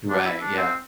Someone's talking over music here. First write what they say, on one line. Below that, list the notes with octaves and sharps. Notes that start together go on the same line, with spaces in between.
Right, yeah.
D4
E4
D4
C4